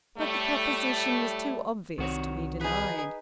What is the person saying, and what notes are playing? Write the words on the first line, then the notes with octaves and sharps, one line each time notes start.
But the proposition was too obvious to be denied.
A2 G3 A3
C2 D#3 C4 F#4 C#5
D#4 G#4 B4